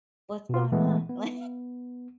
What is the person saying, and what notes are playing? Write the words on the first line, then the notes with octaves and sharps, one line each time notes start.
"What's going on?" Like
B2 F4
A#2 E3 G#3 A3 B3
B3